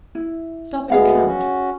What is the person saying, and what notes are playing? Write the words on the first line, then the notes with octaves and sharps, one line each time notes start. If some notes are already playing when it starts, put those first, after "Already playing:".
Stop and count.
E4
D2 G#3 B3 G#4 F5 F#5
C#4 F#4